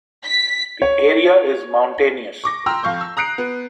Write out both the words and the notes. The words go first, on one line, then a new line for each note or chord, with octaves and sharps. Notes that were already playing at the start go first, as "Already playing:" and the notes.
The area is mountainous.
B6
C#5
C#6 D6 A#6
G5 A#5 C6 E6 F6
F2 F5 C#6 G6
E6
A#5 D#6 F#6 C7 D7
B3